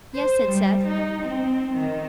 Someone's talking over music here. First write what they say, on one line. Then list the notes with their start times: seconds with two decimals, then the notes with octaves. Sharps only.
"Yes," said Seth.
0.15 C5
0.47 G3
0.86 D#4
1.23 C4
1.73 D#3